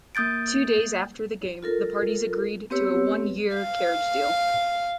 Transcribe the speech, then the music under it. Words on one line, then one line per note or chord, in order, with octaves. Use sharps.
Two days after the game, the parties agreed to a one-year carriage deal.
A#3 D#6 G6 A6 D7
F4 A4 A#4
B3 C4 G4 B4 C#5 E6
F5